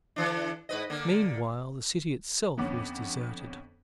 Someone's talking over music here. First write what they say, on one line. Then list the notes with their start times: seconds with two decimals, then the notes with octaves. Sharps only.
Meanwhile, the city itself was deserted.
0.16 D3 E3 D4
0.69 G#2 B4 D#5
0.90 D3 A#3
2.57 F2 D3 B3 C#4 F#5 D6